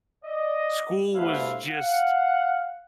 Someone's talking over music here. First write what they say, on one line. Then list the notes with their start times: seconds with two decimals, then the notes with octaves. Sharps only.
School was just
0.25 D5 D#5
1.15 G1 D2 E4 F#4 B4 F5
1.69 F5 F#5